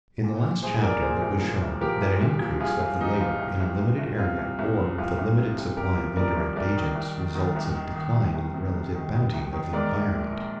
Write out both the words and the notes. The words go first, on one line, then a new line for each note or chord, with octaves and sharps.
In the last chapter it was shown that an increase of the labor in a limited area or with a limited supply of indirect agents results in a decline in the relative bounty of the environment.
A#2
A#2
C2 G#4 C5
F3 A#4 D5
A#2 G#4 C5
C2
F3
C2
F3 G4 A#4
C2
C2
F3
C2 F4 G#4
C2 F4 G#4
F3 D#4 G4
F3 F4
C2
C2
C2
C2
C3 F4
C2
C2
F3
C2 F4
C2
C3
C2
C3 G4 A#4
F3
F3 A#4 D5
C2
C2 A#4 D5
D#3
C2
D#3
D#3
C2
D#3
D#3
C2
C2
C3
C3
D#3
D#3
C2
D#3
G#2 A#4 D5
A#1
A#1
A#1